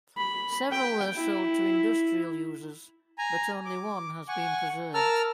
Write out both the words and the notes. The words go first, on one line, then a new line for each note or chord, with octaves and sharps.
Several were sold to industrial users, but only one has been preserved.
B5
G5
E4
G#5 A#5
D6
F#5 G#5 C#6
A#4 A5 E6 F6